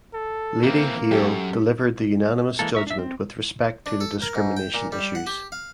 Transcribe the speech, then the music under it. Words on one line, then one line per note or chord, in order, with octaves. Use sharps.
Lady Hale delivered the unanimous judgment with respect to the discrimination issues.
A4
E3 A#3 C4
F#2 G4 A4
E3 G#3 A#3 A4
A#4 E5 C#6
D4 E5
C4
D4
A4
A#4
G#2
G5
A#2
G3
F#5
G4
F5